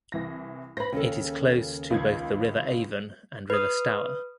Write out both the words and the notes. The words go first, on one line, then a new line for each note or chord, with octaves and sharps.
It is close to both the River Avon and River Stour.
C2 E3 A#6
B4 C5 B5 A#6
D#2 C#3 A4
C#2 D#3 G#6
B4 D#6